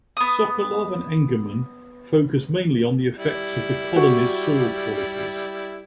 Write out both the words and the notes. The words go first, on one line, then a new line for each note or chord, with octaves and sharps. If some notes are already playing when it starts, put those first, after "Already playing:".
Sokoloff and Engerman focus mainly on the effects of the colonies' soil qualities.
B3 D#6
G3 E4
F#4